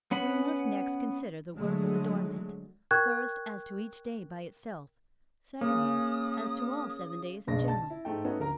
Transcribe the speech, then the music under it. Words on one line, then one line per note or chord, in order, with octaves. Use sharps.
We must next consider the work of adornment, first as to each day by itself, secondly as to all seven days in general.
B3 C#4 F#5 B5
D3 F#3 G#3 A3
A#4 G5 C#6 F#6 G#6
C#3 A#3 D#6
F#1 B1 G#3 D4 A#6
A5 A6
E4
G#2 A3 G5
A3 B3 C#4 D#4 F#4
D2 A#4 A#5